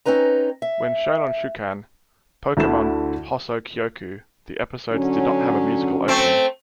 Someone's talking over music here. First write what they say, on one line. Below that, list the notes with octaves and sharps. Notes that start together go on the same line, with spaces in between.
When shown on Shūkan Pokémon Hōsōkyoku, the episodes did not have a musical opening.
C4 C#4 D#4 B4 A#5
E5
D2 D3 E4 A5 E7
D3 F#3 C#4
A3 C4